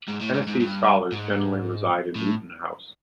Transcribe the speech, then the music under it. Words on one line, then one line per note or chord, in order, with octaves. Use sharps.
Hennessy Scholars generally reside in Wotton house.
G#2
A2
G#2
G#2
G2
G#2
A2